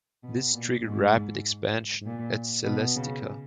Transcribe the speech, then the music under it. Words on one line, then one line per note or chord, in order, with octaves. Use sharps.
This triggered rapid expansion at Celestica.
B2
A#2
G#2
A#2
B2
C#3